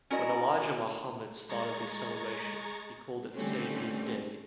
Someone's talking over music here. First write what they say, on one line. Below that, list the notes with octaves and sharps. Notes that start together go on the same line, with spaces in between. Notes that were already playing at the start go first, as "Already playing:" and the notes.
When Elijah Muhammad started the celebration, he called it Saviour's Day.
C#4 E4 F#4 A#4 D5 D#5
G#3 A#5 C#6 G#6 A6
D3 D#3 G3 A3 C4 C#4